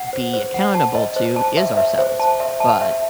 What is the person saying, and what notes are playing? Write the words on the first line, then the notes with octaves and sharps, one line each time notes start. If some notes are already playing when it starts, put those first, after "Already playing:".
be accountable to is ourselves, but
Already playing: F#5
C5
C5
F#5
A5
D#5
C5
A5
E5
E5
C5
A5
E5
A5
E5